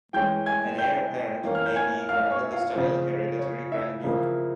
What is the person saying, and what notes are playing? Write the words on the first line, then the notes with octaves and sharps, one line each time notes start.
An heir apparent may be granted the style 'Hereditary Grand Duke'.
E3 G#3 C#4 G5 G6
G#5 G#6
G5 G6
E3 A#3 C#4
F6
G6
G#5 G#6
F5 F6
C#5 C#6
E5
F4 F5
C#3 F3 C4
C#5
E4 E5
C#3 F3 A#3